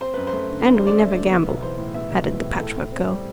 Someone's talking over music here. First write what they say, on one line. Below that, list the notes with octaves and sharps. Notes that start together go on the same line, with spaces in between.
"And we never gamble," added the Patchwork Girl.
C4 C5
F#2 B4
C5
A3
D3
C4
C5
F#2 D5
A3 E5
D3
B3
B1
E3 C5
A2
B3 E5
B1
E3
A2
A2 A4
A2
C4
G3